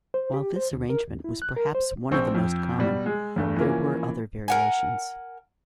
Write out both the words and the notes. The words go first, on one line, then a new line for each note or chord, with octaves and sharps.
While this arrangement was perhaps one of the most common, there were other variations.
C5
G4
C5
D2
A#4
D#2
E4
F#6
A#4
C5
A#1 C4 C#6 E6 G6
F2
B2 G3
G#3
E2 G2 A3
E3 F3 A#3 C#4
A#4 F#5 G#5